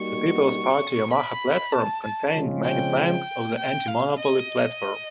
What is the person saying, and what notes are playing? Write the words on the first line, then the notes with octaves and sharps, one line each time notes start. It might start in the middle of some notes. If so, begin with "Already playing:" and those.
The People's Party's Omaha Platform contained many planks of the Anti-Monopoly platform.
Already playing: G3 A#3 D#4 F#4 C#6
B5
A5
A5
C#3 F3 G#3 C4 F4
G5
G5
F5
D#5